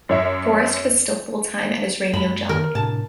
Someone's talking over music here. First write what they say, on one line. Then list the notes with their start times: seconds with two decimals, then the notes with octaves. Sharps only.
Forrest was still full-time at his radio job.
0.09 F#2 C#5 E5
2.13 F#2 G#3 B5
2.49 D#3 A#4
2.75 A2 C3 D4 A5